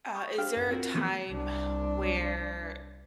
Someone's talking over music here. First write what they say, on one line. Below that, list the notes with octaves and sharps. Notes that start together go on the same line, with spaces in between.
uh, is there a time where,
C#6 D#6 G6 A6
D4 G4 C5 F5 G5 F6
A1 F#2 F5
C4 F4 F#4 A#4
A#2 E3 F3 A3 B3 G#4
C2 D4